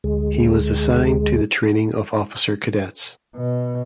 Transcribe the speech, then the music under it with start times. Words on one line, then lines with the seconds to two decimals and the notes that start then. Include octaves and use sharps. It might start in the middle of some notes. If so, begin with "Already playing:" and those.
He was assigned to the training of officer cadets.
0.04 D2 G#3
3.37 B2